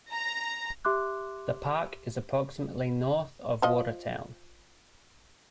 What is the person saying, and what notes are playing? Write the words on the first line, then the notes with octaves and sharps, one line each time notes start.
The park is approximately north of Watertown.
A#5
G4 E5 C6 D6 F#6
F3 F4 D#5